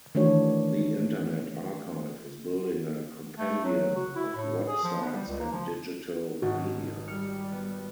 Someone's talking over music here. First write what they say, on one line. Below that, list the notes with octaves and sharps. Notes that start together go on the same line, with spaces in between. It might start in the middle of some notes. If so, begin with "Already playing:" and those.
The Internet Archive is building a compendium of websites and digital media.
D#3 E3 A3 D4 F#4 C#5
A3
F#3
F#4
E4
A2
G#4
F3
B3
G3
C#2
A#3
F3
G#1 F#4
G3 F6 C#7
B3